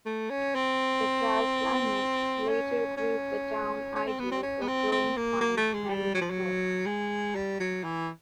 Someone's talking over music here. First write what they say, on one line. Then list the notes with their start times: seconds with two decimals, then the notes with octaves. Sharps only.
The dry climate later proved the town ideal for growing fine merino wool.
0.06 A3
0.30 C#4
0.55 C4
2.49 C#4
2.97 C#4
3.95 C#4
4.07 C4
4.20 B3
4.32 C4
4.43 C#4
4.62 B3
4.68 C4
4.92 C4
5.17 A#3
5.41 A#3
5.57 A3
5.74 G#3
5.89 G3
6.14 F#3
6.21 F3
6.30 F#3
6.86 G#3
7.35 G3
7.60 F#3
7.84 E3